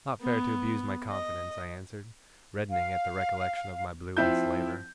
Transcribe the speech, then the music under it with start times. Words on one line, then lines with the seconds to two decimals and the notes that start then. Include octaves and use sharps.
It's not fair to abuse my confidence,' I answered, reddening at the recollection of my blue enslaver.
0.22 B3
1.08 D#5
2.70 F5
4.17 F3 C4 E4 G6